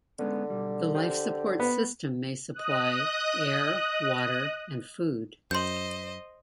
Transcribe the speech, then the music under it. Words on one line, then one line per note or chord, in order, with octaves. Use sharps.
The life support system may supply: air, water and food.
D3 G#3 B3 C#4
B1 G3
G4 C5
B3
D#5 D#6 F#6
F#2 C5 D#5 C6 G6